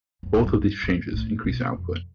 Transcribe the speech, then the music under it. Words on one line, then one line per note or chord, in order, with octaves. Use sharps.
Both of these changes increase output.
F#2
G2
F#2
G2
G#2
A2
B2
F2